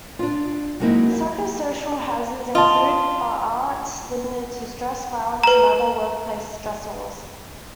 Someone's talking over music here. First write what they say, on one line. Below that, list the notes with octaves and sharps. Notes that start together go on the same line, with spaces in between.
Psychosocial hazards include but aren't limited to stress, violence and other workplace stressors.
D4 F4
F#3 G#3 A#3 C4 D#4 E4
F5
F4 D#5 A5
B4 A#5